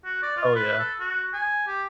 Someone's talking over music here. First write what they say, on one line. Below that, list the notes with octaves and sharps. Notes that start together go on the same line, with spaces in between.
Oh, yeah.
F#4
D5
F4
B4
A4
F#4
G#5
G4